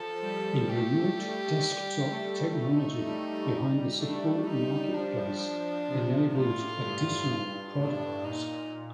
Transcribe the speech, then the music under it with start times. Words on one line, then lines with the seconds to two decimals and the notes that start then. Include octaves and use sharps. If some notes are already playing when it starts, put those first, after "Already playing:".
The remote desktop technology behind the support marketplace enabled additional products.
Already playing: F3 A4
0.21 G3
0.69 A3 G4
1.16 G3
2.10 A3
2.58 D#4
3.05 G3
3.99 A3 D4
4.46 G3 D#4
4.94 F3 D4
5.88 C3
6.35 A2 F4
6.83 G2
7.77 A2 D4
8.25 A#2 D#4